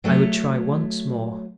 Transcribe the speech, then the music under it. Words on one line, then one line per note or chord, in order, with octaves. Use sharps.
I would try once more.
F#3 A3 C#5